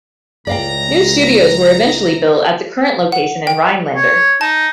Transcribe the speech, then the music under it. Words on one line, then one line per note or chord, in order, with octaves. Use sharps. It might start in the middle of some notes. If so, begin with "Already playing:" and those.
New studios were eventually built at the current location in Rhinelander.
C#2 A2 D5 F5 G5 A#5
F#5
G5
C#5
D#4 A5